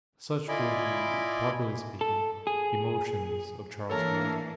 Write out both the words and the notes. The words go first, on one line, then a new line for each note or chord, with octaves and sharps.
Such were the--properly speaking--emotions of Charles Gould.
E4 F4 D5 D#5 G#5 B5
A4
G#4
E3 A#3 D4 A4 A#4 C#5 A5